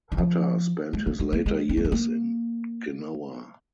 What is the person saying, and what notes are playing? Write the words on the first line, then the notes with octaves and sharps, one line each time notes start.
Hutter spent his later years in Genoa.
D#3
F3
G#3
A#3
G#3
A#3
G#3
C4
A#3
G#3
A#3